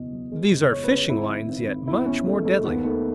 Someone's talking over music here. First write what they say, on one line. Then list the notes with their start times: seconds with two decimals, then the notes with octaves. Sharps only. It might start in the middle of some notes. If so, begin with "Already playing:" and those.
These are fishing lines, yet much more deadly.
Already playing: F#1 E2 B2 D#5
0.12 F#3
0.32 G#3
0.51 F#1
0.70 E2 C#5
0.84 B4
0.90 C#3
0.96 C#5
1.09 G#1 E4
1.29 G#1
1.49 G#1
1.68 G#1
1.88 E2 E4
2.06 B2 C#4
2.26 G#3 A3
2.45 G#3 A3
2.65 D#2 B3
2.84 D#3 A3